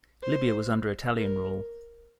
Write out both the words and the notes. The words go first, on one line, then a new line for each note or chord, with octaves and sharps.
Libya was under Italian rule.
C5
A#4